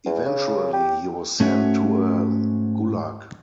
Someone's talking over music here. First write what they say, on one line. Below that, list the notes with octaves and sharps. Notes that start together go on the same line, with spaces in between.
Eventually he was sent to a gulag.
E2
C#3
G4
G#2 A3 C#4 F#4 C#5 E5